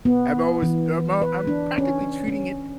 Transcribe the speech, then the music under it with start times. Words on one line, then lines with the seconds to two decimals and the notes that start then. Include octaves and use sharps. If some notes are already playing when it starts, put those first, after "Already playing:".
I'm always I'm all I'm practically treating it
0.05 B3
0.62 E3
1.22 B4
1.47 D4
1.78 C#4
2.28 C#4